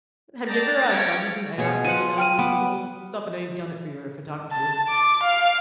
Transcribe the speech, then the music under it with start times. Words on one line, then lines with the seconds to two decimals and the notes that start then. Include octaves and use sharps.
have you ever, uh, tried using AI for any, uh, musical stuff? I know you've done it for your photography.
0.48 D5 D#5 G5 A5 A#5
0.90 C#4 E4 F#4 C#5 D5 G5
1.58 B2 G#4 C#5
1.84 F3 F#5 C#7 D#7
2.18 G5 F6 D#7
2.39 B3 D6
4.51 A5
4.88 D6
5.23 F5